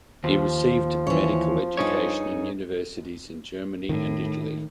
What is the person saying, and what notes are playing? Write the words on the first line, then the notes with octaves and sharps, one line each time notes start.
He received medical education in universities in Germany and Italy.
D#2 F3
E3 C#5
G2 D#4 G#4 C#5
A2 D#3